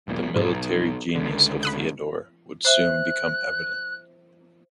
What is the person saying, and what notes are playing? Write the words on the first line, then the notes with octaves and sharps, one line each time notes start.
The military genius of Theodore would soon become evident.
E1 B1 A#2
B1 G#2
C#2 D3
B5 D#6 F#6
C5 E5 F#6